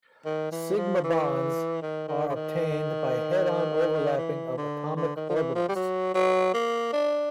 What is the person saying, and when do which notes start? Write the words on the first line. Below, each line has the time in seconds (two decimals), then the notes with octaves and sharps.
Sigma bonds are obtained by head-on overlapping of atomic orbitals.
0.25 D#3
0.52 E3
0.78 F3
1.04 E3
1.82 D#3
2.08 D#3
2.29 D3
2.35 D#3
4.18 E3
4.58 D3
4.96 D3
5.16 D#3
5.29 F3
5.35 E3
5.55 F3
5.69 G3
5.75 F#3
6.14 F#3
6.54 A#3
6.93 D4